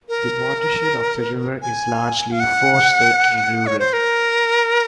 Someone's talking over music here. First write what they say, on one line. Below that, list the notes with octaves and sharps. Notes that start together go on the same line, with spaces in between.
The watershed of the river is largely forested and rural.
A#4
G#5
F5
F#5
C#5
C5
A#4